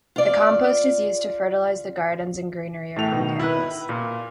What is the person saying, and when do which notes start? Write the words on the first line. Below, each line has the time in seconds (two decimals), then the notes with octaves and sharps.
The compost is used to fertilize the gardens and greenery around campus.
0.16 F4 D5
2.96 A2 A3 F7
3.12 B2 D#3
3.40 E4 B4
3.89 A#2